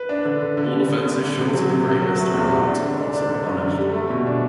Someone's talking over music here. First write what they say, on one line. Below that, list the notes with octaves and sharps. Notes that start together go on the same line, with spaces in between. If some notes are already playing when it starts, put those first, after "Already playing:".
All offenses short of the gravest are allowed to pass unpunished.
Already playing: B4
D4
D3
D3
D3
G3
D3
D3
D3
C3
F#3
C3
C3
F#3
A3
E2
C3
D4
D3
D4
D4
D3
F#2
D3
G3
A3
B2
D4